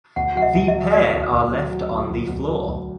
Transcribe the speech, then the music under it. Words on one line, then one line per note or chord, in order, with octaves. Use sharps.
The pair are left on the floor.
D2 F#5
F#3 F#5
E5
D2
E5
F#3
F#3 D5
D2
D2
F#3
F#3
D2
D2
D2
F#3
D2